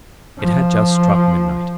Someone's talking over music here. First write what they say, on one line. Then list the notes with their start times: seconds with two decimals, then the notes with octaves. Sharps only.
It had just struck midnight.
0.39 F3